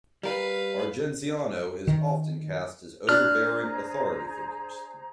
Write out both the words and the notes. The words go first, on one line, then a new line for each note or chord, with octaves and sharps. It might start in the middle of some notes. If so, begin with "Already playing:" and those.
Argenziano is often cast as overbearing authority figures.
G3 A#4 B4 F5
D#3
D4 G#4 C5 A#5 F6 F#6